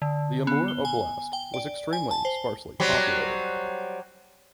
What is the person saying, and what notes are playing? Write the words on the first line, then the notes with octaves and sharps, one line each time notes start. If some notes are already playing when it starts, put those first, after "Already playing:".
The Amur Oblast was extremely sparsely populated.
D3
B3
G7
G#5
G5
D5
G#5
A5
C5
F#3 G3 C4